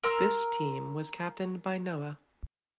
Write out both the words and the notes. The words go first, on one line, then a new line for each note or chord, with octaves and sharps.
This team was captained by Noah.
A#4 A#5 C6 E6